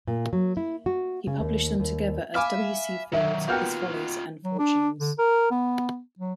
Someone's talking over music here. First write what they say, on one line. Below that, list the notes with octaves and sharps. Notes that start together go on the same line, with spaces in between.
He published them together as "W. C. Fields: His Follies and Fortunes".
A#2
F#3
E4
F#4
C#3
D#2
D#2
E5 F5 G#5 B5 D6 F6
D#3 F#3 E5
A#3 B3 D#4 F4 F#4 G5 F6 G6
F#3
D4
D3
A#4
B3
F#3